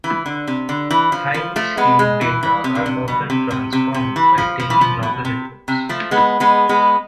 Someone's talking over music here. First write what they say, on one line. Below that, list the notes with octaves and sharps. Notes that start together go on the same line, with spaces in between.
Highly skewed data are often transformed by taking logarithms.
E3
D3
C3
D3
E3
F3
F3
F3 A3
G#3 B3
G#3
E3
E3
C3
D3
C3
B2
C3
C3
C3
C3
E3
F3
F3
E3
F3
B2
C3
C3
F3 A3
G#3 B3
G#3 B3
G#3 B3